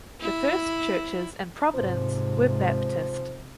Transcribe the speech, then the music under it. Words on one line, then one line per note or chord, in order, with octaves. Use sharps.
The first churches in Providence were Baptist.
E4
G#2 C3 F3